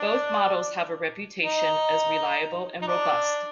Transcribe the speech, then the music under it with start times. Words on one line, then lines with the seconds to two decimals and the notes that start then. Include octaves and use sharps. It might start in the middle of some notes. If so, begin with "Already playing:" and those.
Both models have a reputation as reliable and robust.
Already playing: D4
1.42 D#4
2.82 D#4
2.87 D4